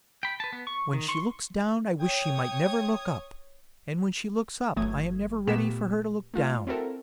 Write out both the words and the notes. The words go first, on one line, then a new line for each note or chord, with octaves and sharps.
When she looks down I wish she might never look up, and when she looks up I am never ready for her to look down.
G5 B5
B4 A5
B3
C#6
D#3
C6 C#6
C#5 G5 D#6 G#6
G1 E3 F#3 A3 D#6 G#6
A#2 A3 B3 G4 B6 E7
A3 F4
C4 E4 F#4 A4 A#4